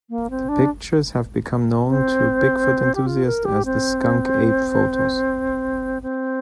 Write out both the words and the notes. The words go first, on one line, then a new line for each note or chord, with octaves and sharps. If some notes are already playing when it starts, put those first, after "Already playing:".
The pictures have become known to Bigfoot enthusiasts as the "skunk ape photos".
A#3
C4
D4
C4
G4
F4
A#4
G4
C4
C4